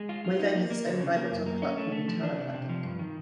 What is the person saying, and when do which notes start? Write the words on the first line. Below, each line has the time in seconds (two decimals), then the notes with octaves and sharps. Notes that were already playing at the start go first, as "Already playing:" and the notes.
Moyvane has its own vibrant soccer club called Newtown Athletic.
Already playing: G#3
0.09 F4
0.25 F4
0.39 D#4
0.55 A#3
0.70 A#3
0.85 D3
1.01 C#3
1.16 A#3
1.31 F#2
1.46 A#3
1.62 C#4
1.77 A3
1.92 A3
2.08 F3
2.23 D4
2.38 C3
2.54 C3
2.69 F3
2.84 G2
2.99 D#3